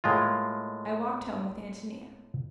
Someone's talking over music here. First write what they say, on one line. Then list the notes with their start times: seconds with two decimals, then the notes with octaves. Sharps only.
I walked home with Antonia.
0.04 A2 G#3 A#3 F4